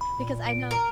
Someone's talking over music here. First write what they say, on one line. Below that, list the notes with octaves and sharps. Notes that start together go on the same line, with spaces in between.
because I know
B5
A#2
D7
A#4